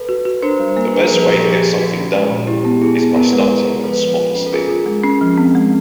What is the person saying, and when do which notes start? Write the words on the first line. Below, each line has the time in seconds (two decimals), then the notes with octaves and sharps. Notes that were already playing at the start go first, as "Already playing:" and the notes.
The best way to get something done is by starting with the smallest thing.
Already playing: A4 B4
0.09 F#4
0.25 F#4
0.43 D4 A#4 C5
0.59 G3
0.77 A#3 A#4
0.87 B4
0.94 D4 G#4 A#4
1.11 F3 A4
1.21 A#4
1.28 A#2 G4 A4
1.45 F3 G#4
1.63 A#2
1.79 F3 F#4
1.96 C#4
2.13 G#3
2.30 A#2
2.47 E4 G4
2.65 B3
2.82 E4 G#4
2.99 B3
3.16 B3 A#4
3.26 B4
3.33 G#3 G#4 A#4
3.50 E4
3.68 G#3
3.84 F3 A4 B4
4.01 F3
4.18 F4
4.35 C#4
4.46 A4
4.52 F4 G#4 A#4
4.69 F4
4.86 G#3
5.03 C#4
5.21 F3
5.38 C4
5.55 G#3